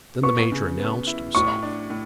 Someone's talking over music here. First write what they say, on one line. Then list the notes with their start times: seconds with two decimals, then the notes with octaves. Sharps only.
Then the major announced himself.
0.23 B3 C#6
0.52 C#3
0.80 B3
1.07 E4
1.35 A2 C#6
1.63 D4
1.90 A2